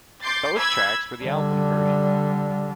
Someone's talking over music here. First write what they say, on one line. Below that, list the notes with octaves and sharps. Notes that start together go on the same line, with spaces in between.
Both tracks were the album version.
C6 D6 G6 A6 C7
B5 E6 G#6
D3 G3